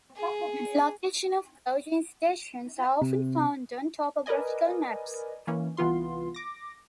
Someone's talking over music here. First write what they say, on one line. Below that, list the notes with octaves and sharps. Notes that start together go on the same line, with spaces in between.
The location of gauging stations are often found on topographical maps.
G#4
C3
A#4 B4 D5 D#5 G#5
E3 A#3 C#4
C2 E3 B3 F4 C6
D6 A#6